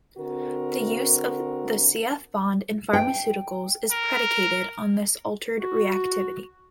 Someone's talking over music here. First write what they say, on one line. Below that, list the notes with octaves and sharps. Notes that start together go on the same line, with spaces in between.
The use of the C-F bond in pharmaceuticals is predicated on this altered reactivity.
D3 C4 F#4 A#4
G5
A#4
F#4